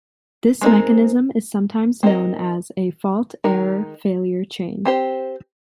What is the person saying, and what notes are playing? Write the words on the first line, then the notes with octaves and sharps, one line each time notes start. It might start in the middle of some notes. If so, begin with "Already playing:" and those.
This mechanism is sometimes known as a Fault-Error-Failure chain.
G#3 C4 D#4 A#4
C4 D#4 A#4 D#5
D#3 G#3 D#4 A#4
C4 G4 C5